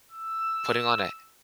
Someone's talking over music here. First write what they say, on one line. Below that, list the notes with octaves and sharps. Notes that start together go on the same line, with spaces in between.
putting on a
E6